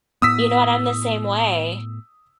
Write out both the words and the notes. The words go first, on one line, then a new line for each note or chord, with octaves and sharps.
You know what? I'm the same way.
A2 B3 D#6 E6 B6